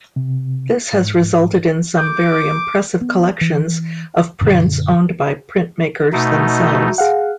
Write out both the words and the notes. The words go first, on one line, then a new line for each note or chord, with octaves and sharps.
This has resulted in some very impressive collections of prints owned by printmakers themselves.
C3
G#2
D6 G6
B3
E3
F#2 A#2 D3
B2 A3 D#4
G#4 F5 F#5